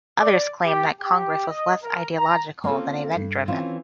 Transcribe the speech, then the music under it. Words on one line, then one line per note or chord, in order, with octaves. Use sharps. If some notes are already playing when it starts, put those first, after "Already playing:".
Others claim that Congress was less ideological than event driven.
D5
G4
G4
D#5
A#4
A#5
A#3 C4 C#4 F4 A4
G2
E3 C4 C#4 F4